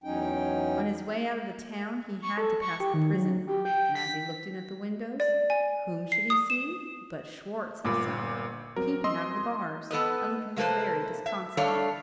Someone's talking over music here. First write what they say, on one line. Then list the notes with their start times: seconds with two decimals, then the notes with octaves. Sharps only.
On his way out of the town he had to pass the prison, and as he looked in at the windows, whom should he see but Schwartz himself peeping out of the bars, and looking very disconsolate.
0.04 E2 F#3 C#4 D#4 G5
2.22 C#6
2.38 A4
2.62 C#6
2.80 G4
2.94 D#3
3.14 F#3
3.47 G4
3.65 G5
3.95 B6
5.20 D5
5.50 G#5
6.12 C7
6.30 D#6
6.50 E7
7.85 G1 A#2 B5 D6
8.76 F#3 C4 F#4 A#4
9.04 D#5 C6 E6
9.91 B3 A4 B4 D#5
10.56 C3 A#3 A4 B4 C5
11.26 E5
11.57 G3 A3 D4 A4 C#5 F5